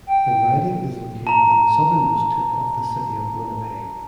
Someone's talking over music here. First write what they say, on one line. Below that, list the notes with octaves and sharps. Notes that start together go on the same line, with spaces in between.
The riding is located in the southernmost tip of the City of Winnipeg.
G5
A5 A#5